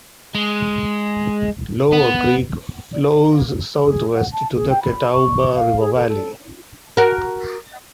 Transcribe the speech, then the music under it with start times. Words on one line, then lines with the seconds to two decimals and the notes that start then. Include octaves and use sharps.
Lower Creek flows southwest to the Catawba River valley.
0.35 G#3
1.92 B3
3.83 G#4
4.15 F#5
4.33 A5
4.56 G#4
4.70 G5
4.83 B5
5.12 C#6
5.55 F5
5.80 G#4
5.96 A4
6.08 A4
6.97 F#4 A#4